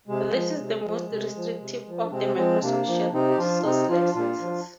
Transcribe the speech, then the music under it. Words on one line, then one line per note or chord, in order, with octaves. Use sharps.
This is the most restrictive of the Microsoft Shared Source licenses.
C3 G#3
F3
C3
F3
C3
F3
C3
F3
D4
C3 G#3 C4
F3 G#3 C4
C3 A#3 D4
F3
C3 C4 D#4
G4
F3 D4 F4
C3 C4 D#4
F3 D4 F4
A#2 D4 F4
F3